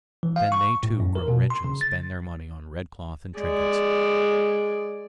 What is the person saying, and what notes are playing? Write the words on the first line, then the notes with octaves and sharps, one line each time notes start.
Then they too grow rich and spend their money on red cloth and trinkets.
E3
F5
C#6
A2
F#2
A#4
B2
C6
C#3
A6
G#3 D5